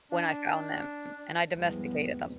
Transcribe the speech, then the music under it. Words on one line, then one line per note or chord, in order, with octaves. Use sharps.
when I found them and I domesticated them.
D4
E2 G#2 F3 G3 G#3 B3